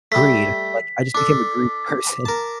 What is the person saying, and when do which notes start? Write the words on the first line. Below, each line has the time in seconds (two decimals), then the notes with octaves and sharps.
greed, like, I just became a greedy person,
0.12 G3 A3 B6
1.15 D4 A4 D6
2.25 A#4 A5